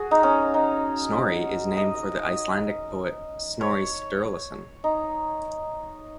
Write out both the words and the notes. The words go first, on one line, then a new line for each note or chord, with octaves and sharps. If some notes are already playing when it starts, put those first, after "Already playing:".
Snorri is named for the Icelandic poet Snorri Sturluson.
Already playing: F#4 G#4
D#4
C#4
D#4
D#5
D#5
C#5
D#4